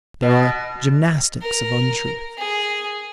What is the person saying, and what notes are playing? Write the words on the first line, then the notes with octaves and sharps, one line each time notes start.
There are gymnastics of untruth.
B2
A#4
G#4